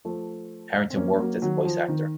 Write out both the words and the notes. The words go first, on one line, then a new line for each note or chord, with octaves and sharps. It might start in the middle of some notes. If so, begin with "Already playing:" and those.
Harrington worked as a voice actor.
F3 A3
C4
A#3 C#4
F#3 A#3
D#3 F#3
F3
D#3